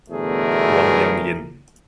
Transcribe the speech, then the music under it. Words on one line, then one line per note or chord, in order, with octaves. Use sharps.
Huang Yang Yin.
G1 E2 B2 A3 G#4 A#4